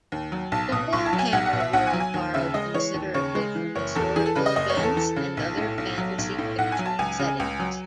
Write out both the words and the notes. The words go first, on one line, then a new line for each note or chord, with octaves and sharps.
The Warhammer World borrowed considerably from historical events and other fantasy fiction settings.
D#2
F#3
B1 A5
B2 D#6
B1 C#6
A5
F#3
G#5
B1 F#5
F#5
B2
E5
B1 F#5
G#5
F#3
G#5
D#2
C#3 E5
G#3 D#5
E3 C#5
D#2
C#3 C#5
G#3
E3
F#1 C#5
E2 A4
E3 G#4
A4
C#3 B4
D#5
F#1 D#5
C#5
E2
A4
E3 A4
C#3
B1
A2
B1
F#3
B1
A2
B1 F#5
G#5
F#3
A5
C#2 G#5
C#3
C#2
F#3